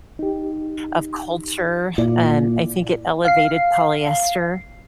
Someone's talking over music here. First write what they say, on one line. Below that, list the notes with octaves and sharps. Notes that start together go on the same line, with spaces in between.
of culture. Um, I think it elevated polyester.
D#4 G4
A#2 E4 D5
F5 C7